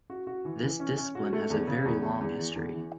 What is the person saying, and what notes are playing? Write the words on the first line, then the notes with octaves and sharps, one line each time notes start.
This discipline has a very long history.
F#4
F#4
E3
E3
C#4
C#4
F#4
A3
E2
C#3
E2
E2
E2
E3
E2
E3